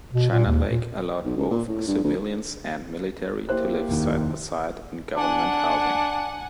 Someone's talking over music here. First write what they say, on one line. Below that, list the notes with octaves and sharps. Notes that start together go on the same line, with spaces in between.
China Lake allowed both civilians and military to live side-by-side in government housing.
B2
A#2
D#2
A#2
B1
C#2
A#2
A2
G2
D2
A#3 E4 G4 C5 F#6
F1 D#2 D#3
D4 F#5 G#5